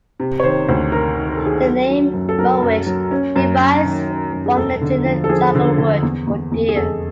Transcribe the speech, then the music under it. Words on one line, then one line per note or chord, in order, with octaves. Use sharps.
The name "Mowich" derives from the Chinook jargon word for deer.
C3
C#5
D#3 C5
D2 C5
C3 A#4
D#3
A#4
A4
D#3 G#4
A4
F#3
F#3
F#2
A4
F#3 A#4
F#2
F#3
C#4
F#2
C#4
D#3
C#4
F#2
G#4
E1 A4
D3
F3
A4
F3 G#4
D3
D3
E2
E2
E2
G#4
F1 A4